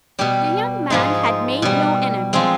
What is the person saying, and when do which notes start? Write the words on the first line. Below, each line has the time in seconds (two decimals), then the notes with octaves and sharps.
The young man had made no enemy.
0.19 B2 G3 G4
0.90 G#2 F3 G#3 D#4
1.62 B2 G3
2.33 F3 G#3 C4